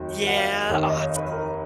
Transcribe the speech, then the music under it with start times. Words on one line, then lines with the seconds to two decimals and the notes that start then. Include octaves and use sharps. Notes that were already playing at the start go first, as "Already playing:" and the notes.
Yeah, awesome.
Already playing: F1 D#2 D#3 F#3
0.27 F#5
0.37 F5
0.69 F1 D#2 D#3
0.90 D#5
1.01 C#5
1.16 B4
1.32 A#4